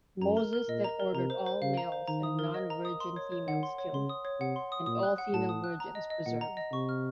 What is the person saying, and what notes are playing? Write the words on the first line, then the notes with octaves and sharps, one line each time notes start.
Moses then ordered all males and non-virgin females killed, and all female virgins preserved.
F#2 A#5
A#4
A#4
A#2 D#5
A#5
A#4
C3 A#5
C5
C5
C#3 F5
A#5
C5
D#3 A#5
D#6
A#4
D#5
A#5
D#6
C6
C#5
C#5
D#3 F#5
C6
C#5
C#3 C6
D#6
C#5
C3 F#5
C6
D#6
A#2 D#6
F#6
F#5
A2 A5
D#6
F#6
A#5
D#5
D#5
A#2 F#5
A#5
D#5
C3 C#6
F6